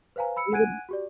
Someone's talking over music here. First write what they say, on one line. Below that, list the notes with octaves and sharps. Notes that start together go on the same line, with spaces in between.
we would
B4 C5 F5 G#5 A#5
B5 E6 C#7
F#5 G#5 F#6 G#6 D7 D#7
F#4 G4 D5